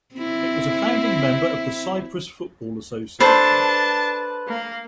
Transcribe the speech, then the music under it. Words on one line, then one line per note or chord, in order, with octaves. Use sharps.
It was a founding member of the Cyprus Football Association.
C4 E4
D4 A4 B4 C5 A5
A#3